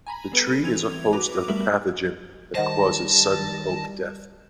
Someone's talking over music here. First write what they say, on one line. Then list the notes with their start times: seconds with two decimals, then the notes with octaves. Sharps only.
The tree is a host of the pathogen that causes sudden oak death.
0.07 G#5 A#5 B5
0.32 G3 B3 A4 B4 D#7
0.64 E3 C4 G#6 F7
1.13 F#4 B4 D6 F7
1.48 G3 A3 B3 A#4 E5 F#7
2.55 D#3 G3 C5 D#5 F#5 A5 A#6